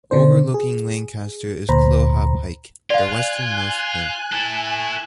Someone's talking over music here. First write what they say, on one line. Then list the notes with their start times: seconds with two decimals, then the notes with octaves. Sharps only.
Overlooking Lancaster is Clougha Pike, the western-most hill.
0.11 B2 D3 D4 C5
0.54 G#4
1.69 D2 A#2 C5 A#5 B5
2.90 F4 D5 F5 G#5 F#6
4.32 E4 A4